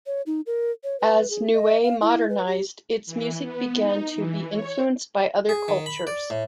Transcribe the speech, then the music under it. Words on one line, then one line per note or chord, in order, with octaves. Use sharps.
As Niue modernized, its music began to be influenced by other cultures.
C#5
D#4
A#4
C#5
B4
G#4
D#5
F5
E4
B4
G4
E3
B3
D#4
E3
C#5
G#4
D#3
B5
D5
A2